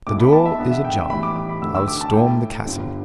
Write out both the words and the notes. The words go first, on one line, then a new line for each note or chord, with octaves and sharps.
The door is ajar; I'll storm the castle.
B1 B2 A3 E4 D6
B5
A5
E5
E2 D3 B3 D4
E5
G5
G5
A2 E3 G3 B5
D6
D6
B5
D2 D3 A3 E6
E6
D6
A5
A2 A3 E4 G5
G1 G2 D3